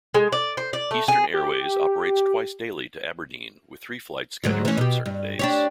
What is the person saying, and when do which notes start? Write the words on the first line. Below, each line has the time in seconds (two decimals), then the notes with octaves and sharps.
Eastern Airways operates twice daily to Aberdeen with three flights scheduled on certain days.
0.14 G#3
0.32 D5
0.57 C5
0.73 D5
0.91 A3
1.08 G#4
1.34 G4
4.44 D2 G#2 F#3
4.65 E3 C#4
4.77 B2 G4
5.06 G2
5.39 D4 G4 C#5